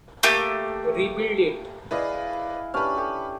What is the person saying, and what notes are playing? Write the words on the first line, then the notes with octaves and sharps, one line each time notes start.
Rebuild it!
A3 A#3 G4
E4 G#4 B4 D5 D#5 F5
C#4 D4 G4 B4 F6
G4 A4